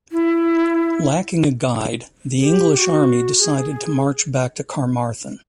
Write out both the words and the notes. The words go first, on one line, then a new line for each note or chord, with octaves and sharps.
Lacking a guide, the English army decided to march back to Carmarthen.
E4
G#4
G4
G4
F#4
G#4